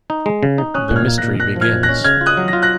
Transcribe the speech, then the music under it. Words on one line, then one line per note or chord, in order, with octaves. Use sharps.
The Mystery Begins.
D#4
G#3
C#3
D#4
C#4 D#6 F#6
A#2 F#6
F6 G#6
A#3
F#6 A#6
A#2
A#2 F#6 A#6
F3
F6 G#6
A#2
F#6 A#6
C#4
C#3 F6 G#6
F4
D#6 F#6
F#3
A#6
F4
F#6 A#6